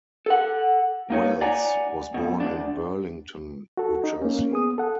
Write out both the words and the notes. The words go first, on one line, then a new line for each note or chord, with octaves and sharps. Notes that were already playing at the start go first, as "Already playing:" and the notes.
Wells was born in Burlington, New Jersey.
A4 F#5
A#3 D#4 C#5
D5 F#5 G#5 A#5
F2 B2
D2 G#2 D4
F#4 A4
D#4
A#3 C#4
B3 G#4 D#6
A4 F#5